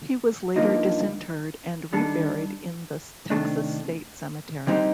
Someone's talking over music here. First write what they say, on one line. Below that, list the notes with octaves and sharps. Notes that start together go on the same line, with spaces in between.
He was later disinterred and reburied in the Texas State Cemetery.
G2 D3 F3 A#3 D#4
D#3 G3 D4 A4
C3 D#3 A3 D4
D3 G3 C4 D#4 G4